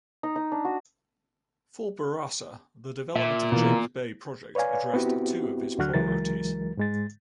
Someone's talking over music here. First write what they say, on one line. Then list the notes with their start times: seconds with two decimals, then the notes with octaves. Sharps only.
For Bourassa the development of James Bay project addressed two of his priorities.
0.23 D#4
0.36 D#4
0.52 D4
0.65 F#4
3.16 A#2 E5
3.52 B2 E3 A#3
4.55 B4 C#5 D5 F5 G#5
4.94 B3 C4 E4 F#4 G4
5.78 D2 D3 F#3 F#4 F6 F#6
5.94 C#2 E3 F#3 G#3 A#4 A6
6.77 G#2 G#3 A6